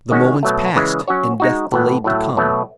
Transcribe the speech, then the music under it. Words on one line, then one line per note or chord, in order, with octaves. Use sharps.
The moments passed, and death delayed to come.
D#3 G#3 C#4 F#4
B2 F#3 A3
C#3 E3 G#3
F#3 C#4 F#4 C#5
G#3 D#4 F#4
A2 E3 B3
A2 F#3 A3
B2 F#3 A3